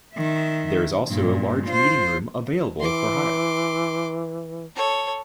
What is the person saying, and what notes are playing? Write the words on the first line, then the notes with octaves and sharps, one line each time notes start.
There is also a large meeting room available for hire.
D#3 E5
G2 A#2
F4 C5
E3 C6 D6
A4 C#5